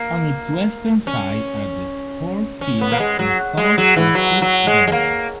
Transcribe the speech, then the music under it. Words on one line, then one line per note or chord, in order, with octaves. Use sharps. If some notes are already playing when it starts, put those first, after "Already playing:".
On its western side are the sports fields and stalls for food vendors.
Already playing: A#3
C#4
C#4
B3
A#3
G#3
F#3
G#3
F#3
E3
F#3
F#3
G#3
G#3
A#3